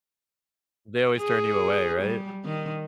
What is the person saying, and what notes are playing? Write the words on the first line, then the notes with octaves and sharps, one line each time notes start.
They always turn you away, right?
G#4
G3
D#3